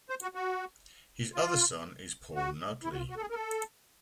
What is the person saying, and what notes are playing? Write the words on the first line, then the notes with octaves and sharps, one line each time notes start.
His other son is Paul Notley.
C5
F#4
F#4
F4
F#4
E4
F#4
F4
F#4
A4
G#4
A#4
A4